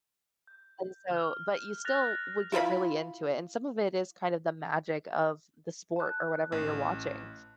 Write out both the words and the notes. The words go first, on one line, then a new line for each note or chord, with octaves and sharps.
and so but you still would get really into it, and some of it is kind of the magic of the sport or whatever you're watching,
G6
F6
F#6 A6 A#6 F7
E4 F4 E5 B5
A5 F#6
A1